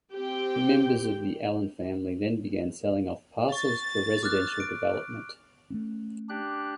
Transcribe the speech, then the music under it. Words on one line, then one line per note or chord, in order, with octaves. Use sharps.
Members of the Allen family then began selling off parcels for residential development.
C4 G4 G5
C#6 A6
D6 F6 F#6
D7
A3 B3 C#4
D4 G4 F#6